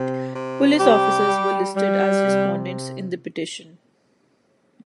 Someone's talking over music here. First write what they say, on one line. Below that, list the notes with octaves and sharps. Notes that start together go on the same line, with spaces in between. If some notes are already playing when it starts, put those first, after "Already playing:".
Police officers were listed as respondents in the petition.
Already playing: C3
C3
G3 G4
G3
G3
C3